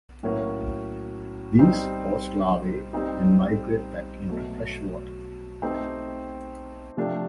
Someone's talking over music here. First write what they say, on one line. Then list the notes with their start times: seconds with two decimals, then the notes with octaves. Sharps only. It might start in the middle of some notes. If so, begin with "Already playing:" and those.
These postlarvae then migrate back into fresh water.
0.23 A2 F#3 A#3 C#4 F#4
1.58 G3 C4 D#4
2.93 G3 C4 D#4
4.27 B2 F#3 A3
5.62 A3 C4 D#4 G4
6.97 C3 F3 A3 D4 G4